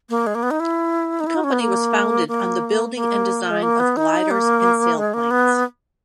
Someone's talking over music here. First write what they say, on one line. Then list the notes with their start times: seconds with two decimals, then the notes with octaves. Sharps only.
The company was founded on the building and design of gliders and sailplanes.
0.09 A#3
0.27 G#3
0.35 A#3
0.43 B3
0.51 D#4
0.60 E4
1.20 D#4
1.27 E4
1.35 D#4
1.44 C#4
1.52 B3
1.60 A#3
2.28 A#3
2.96 A#3
3.50 G#3
3.63 A#3
3.80 B3
3.97 D#4
4.31 A#3
4.98 G#3
5.14 A#3
5.31 B3